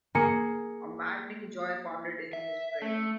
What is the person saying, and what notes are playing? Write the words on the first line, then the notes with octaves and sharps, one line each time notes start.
A maddening joy pounded in his brain.
A#3 G#4 C#7
E5
A3